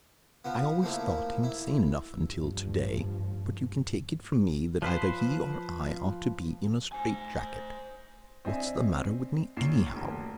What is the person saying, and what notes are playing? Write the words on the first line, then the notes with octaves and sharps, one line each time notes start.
I always thought him sane enough until today, but you can take it from me that either he or I ought to be in a straitjacket. What's the matter with me, anyhow?
F3 B3
F3 A3 A#3 E4
E4
A1 G2 F3
F3 B4 C5
C5 G#5
C4 D4 D#5 E5 G#5
A#1 F#2 C7 E7
D#1 D2